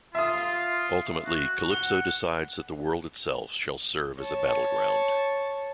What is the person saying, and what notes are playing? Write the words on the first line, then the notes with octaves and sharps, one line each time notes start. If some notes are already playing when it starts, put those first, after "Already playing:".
Ultimately, Calypso decides that the world itself shall serve as a battleground.
F4 E5 D#6
F#4
F#5 G7
C#5 A5